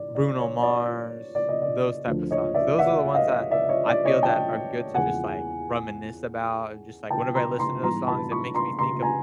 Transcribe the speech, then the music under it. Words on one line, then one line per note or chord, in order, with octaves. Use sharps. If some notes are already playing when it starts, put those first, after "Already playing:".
Bruno Mars, those type of songs. Those are the ones that I feel that are good to just, like, reminisce about, and just, like, whenever I listen to those songs, it makes me think of
Already playing: G#2 E3 D5
D5
C#5
D5
D5
D#5
D5
D2 D3 F3
C#5 D#5
D5 E5
E5 F#5
D#5 F5
D5 E5
C#5 D#5
D5
C#5 D#5
G5 A5
E2 C#3 F3 G#3 F#5 G#5
G5 A5
A#5 C6
A#5 C6
G#2 E3 G3 B3 A#5 C6
A5 B5
B5 C#6
A#5 C6
A#5 C6
G#5 A#5